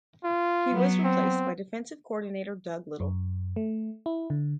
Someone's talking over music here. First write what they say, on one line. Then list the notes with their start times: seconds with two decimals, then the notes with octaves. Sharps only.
He was replaced by Defensive Coordinator Doug Lytle.
0.24 F4
0.71 F#3 B3
1.04 C4
3.00 F#2
3.56 A3
4.06 E4
4.30 D3